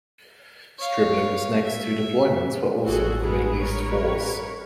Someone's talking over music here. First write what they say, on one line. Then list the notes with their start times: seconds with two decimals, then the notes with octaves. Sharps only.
"Stribling"'s next two deployments were also with the Middle East Force.
0.79 C#5 F5
1.65 E5
2.87 A1 F#4 G#4 A4
3.22 G#3 B3 G#4
3.61 A#4 B4 C#5